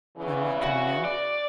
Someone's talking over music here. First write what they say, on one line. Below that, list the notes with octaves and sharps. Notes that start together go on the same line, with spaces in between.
I am not coming in.
E2 C#3 E3
F#4
D5